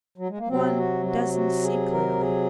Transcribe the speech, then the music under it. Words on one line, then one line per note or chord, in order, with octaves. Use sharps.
One doesn't see clearly.
F#3
G#3
A#3
C3 F#3 C4
F#4
F#4
F#4
G#4
A#4
G#4